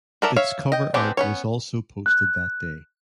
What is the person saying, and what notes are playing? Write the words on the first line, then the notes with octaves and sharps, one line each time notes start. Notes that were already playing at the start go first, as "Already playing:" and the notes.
Its cover art was also posted that day.
F#4 A4 A#4 D5 E5
C#5 E5 F5
D#5 G5
B3 C4 D4 G4 G#4
B3 C#4 C#5
F#6